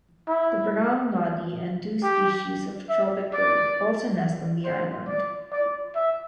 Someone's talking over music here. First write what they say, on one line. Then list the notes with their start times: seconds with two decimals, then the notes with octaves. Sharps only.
The brown noddy and two species of tropicbird also nest on the island.
0.28 E4
2.03 G4
2.89 E5
3.34 D5
4.64 C5
5.08 D5
5.52 D5
5.95 E5